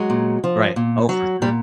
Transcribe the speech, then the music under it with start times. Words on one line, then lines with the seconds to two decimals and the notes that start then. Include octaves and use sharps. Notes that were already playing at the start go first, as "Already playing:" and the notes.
Right. Oh, for sure.
Already playing: F#3 G#3
0.10 A#2
0.44 F3
0.76 A#2
1.09 F#3
1.42 A#2 G3